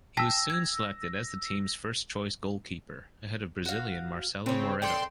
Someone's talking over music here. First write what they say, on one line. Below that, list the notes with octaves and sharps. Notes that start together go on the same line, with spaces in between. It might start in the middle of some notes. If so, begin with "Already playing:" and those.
He was soon selected as the team's first-choice goalkeeper, ahead of Brazilian Marcelo Moretto.
G5 A5 E6 A#6 B6
G#6
F#4 F5
C#3 C4 C#5
C4 D4 A4 G5 C6